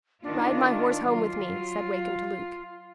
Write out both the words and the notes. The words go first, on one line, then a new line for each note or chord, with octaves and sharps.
"Ride my horse home with me," said Wakem to Luke.
D#3 D4 F4
F#3 F4